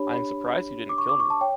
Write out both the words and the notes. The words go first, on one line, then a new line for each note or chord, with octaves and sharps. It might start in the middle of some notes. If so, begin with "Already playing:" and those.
I am surprised you didn’t kill me.
Already playing: D4 G4 C#5 B5
B5
D6
C#6
D6
C#6
A5
C#5 G5